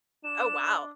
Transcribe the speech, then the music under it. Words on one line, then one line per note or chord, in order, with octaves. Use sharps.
Oh, wow.
D4 E7